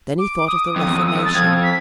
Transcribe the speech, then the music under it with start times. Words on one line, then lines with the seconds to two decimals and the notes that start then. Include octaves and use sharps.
Then he thought of the reformation.
0.19 D6
0.37 D6
0.48 D#6
0.76 F2 D#6
0.87 E2
0.96 F2
1.01 E6
1.06 D#6
1.15 F2
1.25 A6
1.34 F2 G#6
1.63 B6